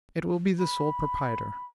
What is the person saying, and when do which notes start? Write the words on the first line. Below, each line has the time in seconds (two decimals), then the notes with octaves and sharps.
It will be the sole proprietor.
0.59 B5